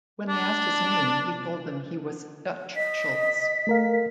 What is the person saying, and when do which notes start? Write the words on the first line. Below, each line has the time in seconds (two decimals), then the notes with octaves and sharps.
When they asked his name, he told them he was "Dutch" Schultz.
0.28 D4
2.76 D#5 B6
3.67 A3 A#4 F5